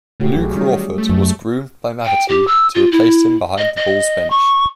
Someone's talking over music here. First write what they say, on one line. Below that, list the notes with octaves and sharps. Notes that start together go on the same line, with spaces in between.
Lou Crawford was groomed by Mavety to replace him behind the Bulls' bench.
C#3 A3 F#4 G4
B1 F#3 G#4
D#3 G3 C#4
A3
F#2
G5
G4
E6
F4
E4
D#5
D#5
C#6